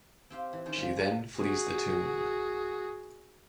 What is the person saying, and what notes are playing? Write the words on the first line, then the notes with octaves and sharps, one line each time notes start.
She then flees the tomb.
C4 G4 F5
E3
D#3 C#4 C5
G3 F4
G2 A#3 F#5 A#5
F#4 G#4